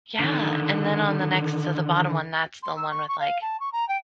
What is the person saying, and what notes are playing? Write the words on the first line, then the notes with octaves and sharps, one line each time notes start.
Yeah, and then on the next to the bottom one, that's the one with, like,
D3 D#3
C6
E6
C#6
C#6
F5
A5
C#6
A#5
G5